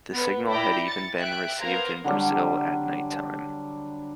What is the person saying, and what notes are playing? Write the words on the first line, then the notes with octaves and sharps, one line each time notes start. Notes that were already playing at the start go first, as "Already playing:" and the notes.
The signal had even been received in Brazil at night-time.
B3
E4 D5 G5 A#5 B5
A6 C#7
E5 G5 F#6 D7
B3 A#4 C5 F5 A#5 G#6
D3 F#3 G3 D4